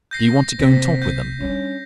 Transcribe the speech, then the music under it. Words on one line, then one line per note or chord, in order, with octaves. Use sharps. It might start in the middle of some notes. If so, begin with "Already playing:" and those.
"Do you want to go and talk with them?"
G6 A#6 C7
C3 A#3 C4 A#6 B6
G6
G3 C#4 D4